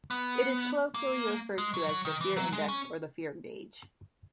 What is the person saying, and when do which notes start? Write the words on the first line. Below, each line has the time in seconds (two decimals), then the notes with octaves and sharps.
It is colloquially referred to as the "fear index" or the "fear gauge".
0.11 B3
0.94 A#3
1.58 G#3
1.74 F#3
1.89 F#3
2.05 D#3
2.21 E3
2.37 F#3
2.52 G#3
2.68 C#4